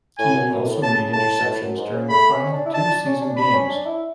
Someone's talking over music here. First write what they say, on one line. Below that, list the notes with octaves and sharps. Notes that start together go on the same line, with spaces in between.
Key also made interceptions during the final two season games.
A2 G#5
F#2
F#2
A2
C#3 A5
A2 A5
B2
A2
F#2
G#2
C#3
A3 B5
C#4
D4
E4
D4 A5
D4
C#4
D4
D4 B5
C#4
D4
E4